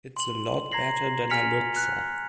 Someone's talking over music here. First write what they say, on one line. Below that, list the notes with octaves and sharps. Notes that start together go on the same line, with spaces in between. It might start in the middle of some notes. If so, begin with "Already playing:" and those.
It's a lot better than I looked for.
C6 F#7
A#5 G#6 A#6 C7 F#7
G#5 F6 G#6 B6 C#7 F7
F#6